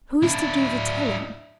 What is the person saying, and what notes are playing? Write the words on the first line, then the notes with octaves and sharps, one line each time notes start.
"Who is to do the telling?"
D4 E4